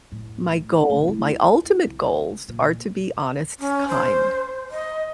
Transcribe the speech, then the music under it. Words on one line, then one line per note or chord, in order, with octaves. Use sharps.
my goal my ultimate goals are to be honest, kind,
A2
A3
E4
C2
A#2
C#4
C5
D#5